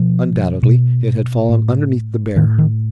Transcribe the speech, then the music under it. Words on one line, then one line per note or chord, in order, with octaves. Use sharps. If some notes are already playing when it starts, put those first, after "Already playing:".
Undoubtedly it had fallen underneath the bear.
Already playing: B2 F3
B2
A2
A2 D#3
D#3